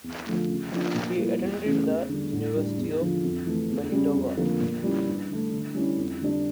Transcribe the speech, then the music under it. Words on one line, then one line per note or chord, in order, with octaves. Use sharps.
He attended the University of Manitoba.
E2
D3 F3 A3
C#3
F3 A#3 D4
A#2
G3 A#3 E4
E2
C#3 E3 A3 C#4
E2
D3 G3
A2
G3 D4
E2
D3 F3
F2
E3 A3
E2
C#3 G3 C#4
F2
D3 F3 A#3
A#2
G3 C#4 E4
G2
D3 A3
D3
G3 C#4 E4
F2
D3 G3 D4